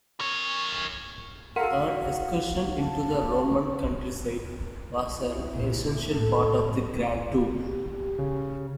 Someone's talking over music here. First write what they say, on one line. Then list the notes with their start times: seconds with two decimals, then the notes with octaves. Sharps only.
An excursion into the Roman countryside was an essential part of the Grand Tour.
0.20 A#4 C#5
1.56 F#4 A4 A#4 F5 F#5 B6 C#7
2.77 A5
5.17 E4
5.54 A#2
6.12 A2 A4
7.66 G4
8.19 C#3